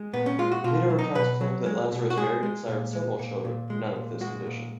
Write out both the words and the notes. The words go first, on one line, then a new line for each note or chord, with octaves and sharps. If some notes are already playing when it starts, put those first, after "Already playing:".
Later accounts claim that Lazarus married and sired several children, none with his condition.
Already playing: G#3
A#2 B3
C#4
G#3 F4
F#4
B2 F4
F#3
D#4
B2 B4
F#3
G#3
B2
F#4
G#3 G#4
G#3
A#2
G#3
A#2
A#2
G#3
A#2
G#3 F#4
A#2